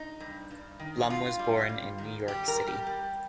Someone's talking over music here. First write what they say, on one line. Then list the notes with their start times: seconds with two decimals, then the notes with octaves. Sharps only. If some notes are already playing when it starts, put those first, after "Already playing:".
Blum was born in New York City.
Already playing: D#4
0.20 G2
0.51 G2
0.80 D#3
1.10 G2 F4
1.39 G3
1.69 G2
1.98 D#3
2.28 G3 G4
2.48 A#4
2.57 G3
2.67 G4
2.87 G3